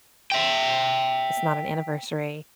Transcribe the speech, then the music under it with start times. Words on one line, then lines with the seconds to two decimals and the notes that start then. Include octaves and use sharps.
it's not an anniversary,"
0.32 E5 G5